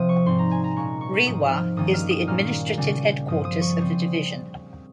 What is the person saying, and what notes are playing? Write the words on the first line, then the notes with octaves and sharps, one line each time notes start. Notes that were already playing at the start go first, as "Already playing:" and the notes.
Rewa is the administrative headquarters of the division.
Already playing: C3 F3 C4 D#6
C#6
G#2 G3 C4 C6
A#5
G#5
A#5
A#2 G#3 C#4 C#6
C#6
G#2 F3 C4 D#6
F6
G2 D#3 G3 A#3 C#4 D#6
F6
D#6
A#2 G3 A#3 C#4 F6
C#3 G3 C#4
G2 F3 C4 D#6
D#6
C#6
C#3 G3 C4 D#6